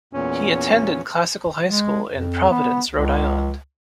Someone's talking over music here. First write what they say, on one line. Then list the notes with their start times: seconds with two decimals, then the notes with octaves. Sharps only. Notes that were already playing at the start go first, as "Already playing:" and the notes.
He attended Classical High School in Providence, Rhode Island.
0.13 E2 A#2 C#4
1.65 G#3
2.11 F2
2.50 B3
2.90 C#2